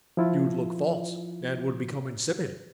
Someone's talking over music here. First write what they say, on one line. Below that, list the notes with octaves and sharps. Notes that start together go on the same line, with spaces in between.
You'd look false and would become insipid.
F3 E4 F4